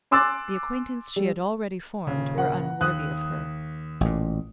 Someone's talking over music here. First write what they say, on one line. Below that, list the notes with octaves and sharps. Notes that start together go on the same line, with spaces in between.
The acquaintance she had already formed were unworthy of her.
G#5 C6 D6 E6 F#6 A6
G3
D#1 C#3
A#4 F#5
D#2 D#6 F#6
A1 A#2